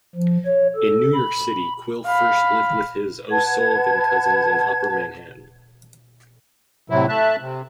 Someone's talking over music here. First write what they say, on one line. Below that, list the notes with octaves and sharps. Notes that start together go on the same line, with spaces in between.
In New York City Quill first lived with his O'Sullivan cousins in upper Manhattan.
F3
C#5
A4
B5
F5 B5
B4 F#5 A5 G#6
A2 C3 F#3 E4
A3 E5 A5 F#6
C3